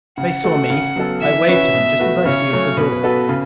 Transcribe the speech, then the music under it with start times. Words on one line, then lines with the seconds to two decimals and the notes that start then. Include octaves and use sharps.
"They saw me--I waved to them just as I sealed the door."
0.18 C#3 F#5
0.44 A3 F#4 A4
0.70 C#3
0.96 F#3 B3 A4
1.21 E3 E5
1.48 C#4 F#4 B4
1.74 B2
1.99 A3 F#4 B4
2.25 C#3 C#5
2.51 F#3 A3 C#4
2.77 B2 B4
3.03 B3 F#4 A4
3.29 C#3